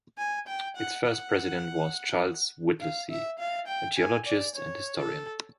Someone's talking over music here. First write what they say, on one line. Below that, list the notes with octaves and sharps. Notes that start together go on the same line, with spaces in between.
Its first president was Charles Whittlesey, "a geologist and historian".
G#5
G5
F#5
F#5
F5
E5
F5
G5
G#5
D5
C#5
A4